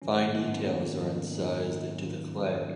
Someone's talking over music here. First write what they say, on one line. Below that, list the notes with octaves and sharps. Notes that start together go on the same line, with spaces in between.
Fine details are incised into the clay.
G#2 D#3 F#3 C#4
A#3
B3
C#4
G#2 D#3 F#3 D#4
F4
G#2 D#3 F#3 D#4
G#2 D#3 F#3 F4
C#4